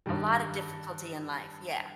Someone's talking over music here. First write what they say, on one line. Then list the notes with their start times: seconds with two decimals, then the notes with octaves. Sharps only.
A lot of difficulty in life, yeah,
0.06 G2 D#3 G3